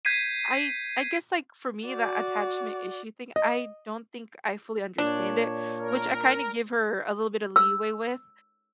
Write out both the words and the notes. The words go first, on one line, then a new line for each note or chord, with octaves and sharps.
I I guess, like, for me, that attachment issue thing, I don't think I fully understand it, which I kinda give her a little bit of leeway with,
G6 G#6 B6 C7 D#7
F#4 D5
D#5
A#2 D4 C#5
A#4
E6